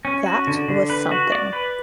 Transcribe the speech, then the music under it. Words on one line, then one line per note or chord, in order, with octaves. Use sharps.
That was something.
C#4
F#4
D3
D3
B4
F#4
D5
B4